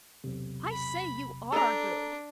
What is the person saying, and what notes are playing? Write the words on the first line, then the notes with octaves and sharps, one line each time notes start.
'I say, you ARE good.'
B1 E2 C3
B5
D4 A4 A#5